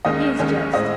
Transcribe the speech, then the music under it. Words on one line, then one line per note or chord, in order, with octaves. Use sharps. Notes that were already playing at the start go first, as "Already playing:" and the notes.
He is just.
D#2 D#3 G#3 C#4 D#5
D#2 D#3 G#3 C#4
A2 G#3 C4 D#5